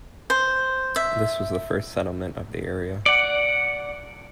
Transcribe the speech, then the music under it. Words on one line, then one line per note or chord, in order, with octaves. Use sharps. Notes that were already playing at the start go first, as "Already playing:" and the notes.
This was the first settlement of the area.
C5
E5
D5 F#5